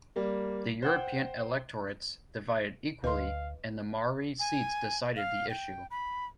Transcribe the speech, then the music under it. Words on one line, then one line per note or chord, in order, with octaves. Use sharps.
The European electorates divided equally and the Maori seats decided the issue.
G3 A#3
C5 F#5 G5
D2 B4 D#5 F5 C6
G#5
F5
G5
B5